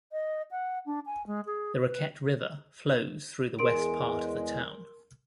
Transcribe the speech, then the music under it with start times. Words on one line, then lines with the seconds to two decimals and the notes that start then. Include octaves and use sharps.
The Raquette River flows through the west part of the town.
0.12 D#5
0.51 F#5
0.86 D4
1.06 G#5
1.27 G#3
1.46 G#4
1.87 B4
3.59 E2 G#3 A#4 C6 D7